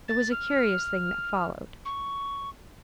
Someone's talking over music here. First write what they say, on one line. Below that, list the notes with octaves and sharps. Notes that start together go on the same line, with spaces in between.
It was a curious thing that followed.
A6
F6
C#6